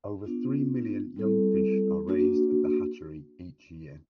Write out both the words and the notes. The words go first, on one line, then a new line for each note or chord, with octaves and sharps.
Over three million young fish are raised at the hatchery each year.
B3 D4 F4
G3 C4 E4 A4
A#3 D4 F#4